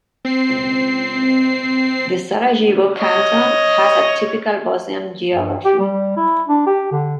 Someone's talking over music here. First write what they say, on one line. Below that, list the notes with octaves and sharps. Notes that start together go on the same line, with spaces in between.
The Sarajevo Canton has a typical Bosnian geography.
C4 C7
C#5 D#5
G2
G4
G3
E4
D4
G4
D3